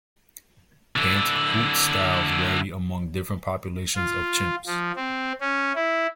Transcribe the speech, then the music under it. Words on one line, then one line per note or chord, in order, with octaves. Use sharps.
Pant-hoot styles vary among different populations of chimps.
D3 E4
F4
F3
C4
C#4
E4